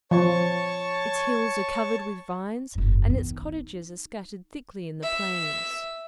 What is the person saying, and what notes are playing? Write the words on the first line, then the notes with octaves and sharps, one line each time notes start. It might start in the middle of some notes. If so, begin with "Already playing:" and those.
Its hills are covered with vines, and its cottages are scattered thickly in the plains.
F3 C#5 A5 C#6
F#1 G#2
D#3 B3
D#4
E5